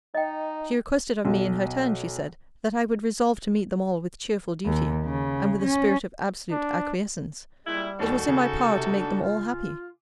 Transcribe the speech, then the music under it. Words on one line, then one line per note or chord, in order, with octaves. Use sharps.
She requested of me in her turn, she said, that I would resolve to meet them all with cheerful duty, and with a spirit of absolute acquiescence. It was in my power to make them all happy.
D#4 D#5 G5
B1
D#2
C#3
C#4
D4
A#2 G3 G#3 E4
D#2 D#4 F#4 A4
C#3
C3
D4
F4